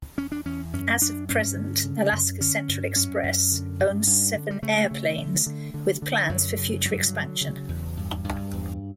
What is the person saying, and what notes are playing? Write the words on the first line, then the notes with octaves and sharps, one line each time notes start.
As of present, Alaska Central Express owns seven airplanes with plans for future expansion.
E2 C#4
D4
E2 C#4
F#2 C#4
F#2 D4
G2 C#4
D3
C#3
F#2
D3 C#4
G2
F#2 C#4
F#2
D3
G2
G2
D3
G3
C#3 A3
C#3
D3
D3
D3
D3
F#2 F#3
C#3
G2 F#3
D3
C#3
E2
G2
G2
E2